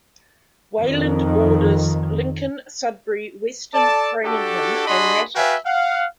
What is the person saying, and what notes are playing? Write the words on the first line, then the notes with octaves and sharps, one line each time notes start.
Wayland borders Lincoln, Sudbury, Weston, Framingham, and Natick.
F2 D#3
A4 D5 A5
D4 F#4 G4 A4
D4 F#4 G#4 D#5 B5 C6
F#4 B4 E5 F5 G5 G#5
F5 F#5